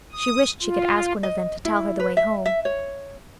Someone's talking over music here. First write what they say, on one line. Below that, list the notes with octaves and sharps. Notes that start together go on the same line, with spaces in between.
She wished she could ask one of them to tell her the way home.
D#6
F4
D#5
E4
B4
E5
E5
C#5